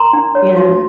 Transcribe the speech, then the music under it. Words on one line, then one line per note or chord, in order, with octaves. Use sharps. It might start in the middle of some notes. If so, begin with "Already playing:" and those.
you know?
Already playing: A#4 A#5 C6
D4
C#5
F#4